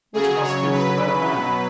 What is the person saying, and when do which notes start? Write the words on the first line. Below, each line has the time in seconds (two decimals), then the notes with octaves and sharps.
Which of us two is the better man?
0.14 C#3 F#3 G#4
0.43 C#5
0.71 B4
1.29 B2 F#3